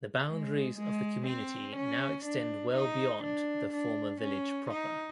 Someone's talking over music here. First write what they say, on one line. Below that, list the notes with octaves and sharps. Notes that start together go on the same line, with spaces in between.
The boundaries of the community now extend well beyond the former village proper.
G#3
G#3
C4
C#4
D4
D#4
D4
D4
C#4
D#4